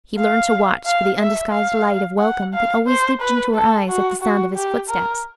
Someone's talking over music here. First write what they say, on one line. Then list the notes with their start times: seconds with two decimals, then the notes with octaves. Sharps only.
He learned to watch for the undisguised light of welcome that always leaped into her eyes at the sound of his footsteps.
0.18 F5
0.86 F5
1.19 E5
1.52 F5
2.19 F#5
2.54 F5
2.88 C5
3.21 B4
3.54 A4
3.89 F#4
4.22 F#4
4.56 G4
4.90 A#4